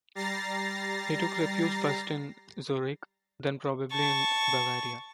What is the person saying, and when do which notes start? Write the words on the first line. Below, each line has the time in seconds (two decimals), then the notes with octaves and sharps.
He took refuge first in Zurich then probably in Bavaria.
0.15 G3 A#5 A6 A#6 C7
3.92 A5 C#6